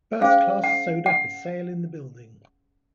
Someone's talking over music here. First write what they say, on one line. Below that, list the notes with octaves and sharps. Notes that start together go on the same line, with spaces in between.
First-Class Soda for sale in the Building.
C#4 G#4 C5 F5
F#5
F#5